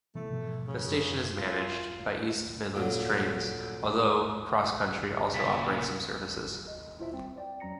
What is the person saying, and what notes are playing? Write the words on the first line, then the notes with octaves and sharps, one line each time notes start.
The station is managed by East Midlands Trains although CrossCountry also operate some services.
C3 E3 A3 B3
G#2 B2 F3
C#3
F#2 F#3
F4
A#2 D3 F#3
A#2 C#3 B6
D#5
E4 F4 C5 E5
G3 C4
C5 D5 G5
F2 F#3 C#4 A#5 A#6 C#7